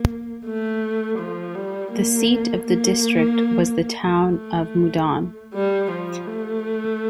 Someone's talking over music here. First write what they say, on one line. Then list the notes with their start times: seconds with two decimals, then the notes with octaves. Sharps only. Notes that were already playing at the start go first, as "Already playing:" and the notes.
The seat of the district was the town of Moudon.
Already playing: A#3
0.46 A3
1.19 F3
1.55 G3
1.92 A#3
2.63 A#3
4.09 A3
5.54 G3
5.91 F3
6.27 A3